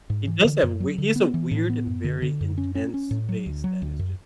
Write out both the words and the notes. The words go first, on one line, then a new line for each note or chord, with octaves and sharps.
He does have we he has a weird and very intense face that is just
G#2
E3
D3
F#2
F#3
D3
B3
E3
A2
B3
F#2
D3
D3
F#2
C#4
C#4
C#4
A2
F#3
D2
F#3
D2
F#2